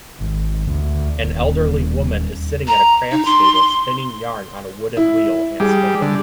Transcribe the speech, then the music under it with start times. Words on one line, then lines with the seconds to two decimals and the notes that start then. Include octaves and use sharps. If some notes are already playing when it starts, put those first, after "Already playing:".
An elderly woman is sitting at a crafts table spinning yarn on a wooden wheel and spindle.
0.20 G#1
0.68 D2
1.25 D#1
2.68 A#5
3.12 D#4
3.25 C6
4.97 E4
5.60 G3 G#4
6.02 D3